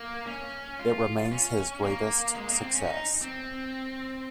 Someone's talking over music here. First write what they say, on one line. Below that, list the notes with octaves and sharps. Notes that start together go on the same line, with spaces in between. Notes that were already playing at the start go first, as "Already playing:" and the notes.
It remains his greatest success.
Already playing: A#3
C#4
F4
C#4
A#3
G#3
A#3
C4
C#4
D#4
C4